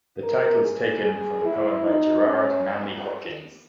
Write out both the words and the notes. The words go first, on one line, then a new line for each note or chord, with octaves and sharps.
The title is taken from the poem by Gerard Manley Hopkins.
A#4
G#4
G#4
E4
D#4
C#4